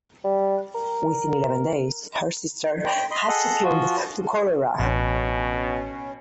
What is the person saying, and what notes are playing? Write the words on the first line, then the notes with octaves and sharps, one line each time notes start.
Within eleven days her sister had succumbed to cholera.
G3
A#4
G5
D#5 B5 C6
G#4 A4 D#5 F#5
F3 F4 F#4
A1 B2 C#4